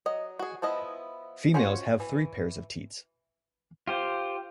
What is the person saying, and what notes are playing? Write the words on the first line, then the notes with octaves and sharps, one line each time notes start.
Females have three pairs of teats.
F#3 D#5
F#4 G#4
F3 B3 E4 D#5
C#4 F4 F#4 C5 C#5
E3
F4 G4 C5